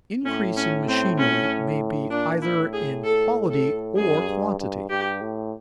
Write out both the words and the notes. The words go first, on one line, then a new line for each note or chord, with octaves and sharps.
Increase in machinery may be either in quality or quantity.
A2 C#4
C#4
C4
C#4
A#2 D4
E4
A2
G#4
A4
A4
F#2 G#4
G2
G2
G2 G4
A2